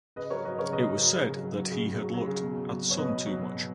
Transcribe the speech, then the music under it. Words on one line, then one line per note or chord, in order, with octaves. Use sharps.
It was said that he had "looked at the sun too much".
C#3 B4 D#5
F#3 A#4 C#5
F#3 B4 D#5
C#3 A#4 C#5
C#3 B4 D#5
F#3
F#3
C#3
C#3
F#3
F#3
C#3
C#3
F#3
F#3
C#3
B2
F#3
F#3
B2
C#5
B2 B4 D#5
F#3
F#3
B2
B2